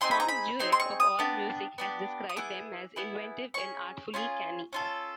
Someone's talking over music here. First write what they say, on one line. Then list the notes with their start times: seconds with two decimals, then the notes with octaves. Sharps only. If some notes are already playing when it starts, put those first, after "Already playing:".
Thom Jurek of AllMusic has described them as inventive and artfully canny.
0.01 C4 D#4 G#4 C6
0.11 B5
0.20 A#5
0.28 B5
0.59 C4 D#4 G#4 C6
0.72 C6
0.80 C#6
1.00 D#6
1.19 B3 D4 G4
1.78 B3 D4 G4
2.29 D#6
2.36 B3 E4 G#4 D6
2.96 B3 E4 G#4
3.54 C#4 F4 G#4 C#6
4.14 C#4 F4 G#4
4.73 C#4 F4 A4